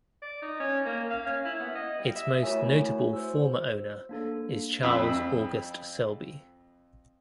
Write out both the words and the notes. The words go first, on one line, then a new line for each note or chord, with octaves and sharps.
Its most notable former owner is Charles August Selby.
D5
D#4
C#4
A#3
F5
C#4
E4
B3
D#5
G3
E5
A3 E4 F#4 A#4 C#5 G#5
C5 E6
A#3 D4 A4
F2 B5 E6